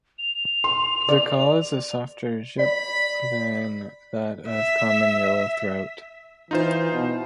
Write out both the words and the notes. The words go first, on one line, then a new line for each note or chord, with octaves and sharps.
The call is a softer "jip" than that of common yellowthoat.
F7
C6
D5
D5 B5
E5
E3 D#4 F4 C5
B2